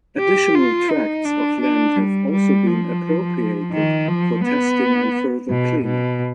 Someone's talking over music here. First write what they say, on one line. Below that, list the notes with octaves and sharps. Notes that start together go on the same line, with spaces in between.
Additional tracts of land have also been appropriated for testing and further cleanup.
G4
F4
D#4
D4
D4
G3
G3
F3
D#3
F3
B3
B2
B2